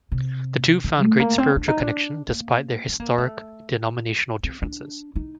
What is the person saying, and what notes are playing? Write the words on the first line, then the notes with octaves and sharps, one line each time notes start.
The two found great spiritual connection despite their historic denominational differences.
C3
D3
A3
A#3
C4
D4
D#4
D4
A#3
C4
A#3
A3
C4
D4
D#4